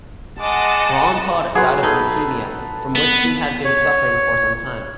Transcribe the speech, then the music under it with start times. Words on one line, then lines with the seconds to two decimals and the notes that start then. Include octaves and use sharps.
Ron Todd died of leukaemia, from which he had been suffering for some time.
0.39 G#3 D#5 F#5 A5 D6
1.55 F#3 G#4 B4 C6
1.83 D#4 A4 B5
2.95 B3
3.64 C#5